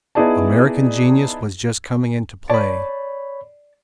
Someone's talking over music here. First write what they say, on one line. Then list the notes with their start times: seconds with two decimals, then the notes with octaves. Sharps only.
American genius was just coming into play.
0.15 B3 D#4 E4 G#4 D5 A5
2.50 C#5 D5 A5 B5